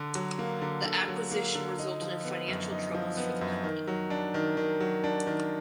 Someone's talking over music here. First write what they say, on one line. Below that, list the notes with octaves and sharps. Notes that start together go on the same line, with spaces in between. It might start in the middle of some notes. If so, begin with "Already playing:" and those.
The acquisition resulted in financial troubles for the company.
Already playing: D3
F#3
A#3
D3
D3
F#3
A#3
D3
D#4
F3
B3
F#2
D#4
F3
B3
F#2
D#3
F#3
D4
D#3
D#3
F#3
D4
D#3